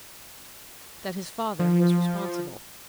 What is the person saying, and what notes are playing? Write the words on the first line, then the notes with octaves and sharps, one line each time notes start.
That his father was responsible.
F3